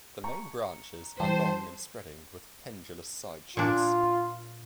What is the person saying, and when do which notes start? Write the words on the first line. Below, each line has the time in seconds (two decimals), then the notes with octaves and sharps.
The main branches are long and spreading with pendulous side shoots.
0.24 A#5 C#6
1.20 E3 G3 C5 G5 A5
3.57 A#2 D4 F4